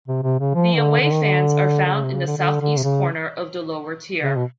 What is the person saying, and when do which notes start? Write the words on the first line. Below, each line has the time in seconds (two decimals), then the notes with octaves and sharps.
The away fans are found in the south-east corner of the lower tier.
0.08 C3
0.23 C3
0.39 C#3
0.55 F3
0.77 D3
1.00 D3
1.11 D#3
1.22 D3
1.86 D3
1.92 C#3
2.03 C3
2.14 C#3
2.27 D3
2.37 D3
2.60 D3
2.77 C3
2.83 C#3
4.21 C#3
4.36 B2